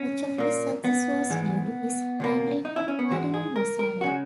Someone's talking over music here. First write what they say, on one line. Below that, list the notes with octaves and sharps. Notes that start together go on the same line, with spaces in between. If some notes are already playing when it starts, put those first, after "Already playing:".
Much of his success was due to his handling of Cardinal Mazarin.
Already playing: C#4
A#2 A#3
B3
G#2 E3 G#3
C#2 B2 A#3
D#4
E4
C#4
B3
G#2 E3 G#3 F#4
G#4
A#4
A#4
C#3 G#3 F#4